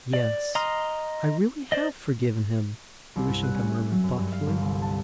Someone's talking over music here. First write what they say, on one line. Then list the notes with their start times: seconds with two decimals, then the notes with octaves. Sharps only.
"Yes, I really have forgiven him," Grushenka murmured thoughtfully.
0.13 D5
0.55 D#5 A#5 C6 D#6 F6
1.72 C5 D5 D#5
3.16 C2
3.28 G2
3.43 F#6
3.55 C#4
3.69 E5
3.91 F#3
4.04 F#2
4.17 G2
4.32 F5
4.47 G1
4.61 C2
4.82 A5